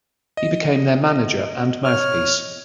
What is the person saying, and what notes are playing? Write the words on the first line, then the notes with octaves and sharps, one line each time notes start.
He became their manager and mouthpiece.
D#5
C#5 F6